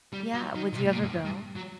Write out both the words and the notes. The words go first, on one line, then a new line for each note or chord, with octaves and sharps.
Yeah, would you ever go?
G3
F#3
D#3
A#2
C3
A2
A#2
F#2
G2
G2
F#3